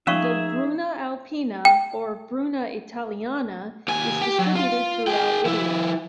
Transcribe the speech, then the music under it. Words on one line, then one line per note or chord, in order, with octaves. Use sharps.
The Bruna Alpina or Bruna Italiana is distributed throughout Italy.
F3 C#4 D#4 G#4 E5 F5 C#6
G5
D#2 G#5
G4
F#3
F4
G#4 G5
F3 E4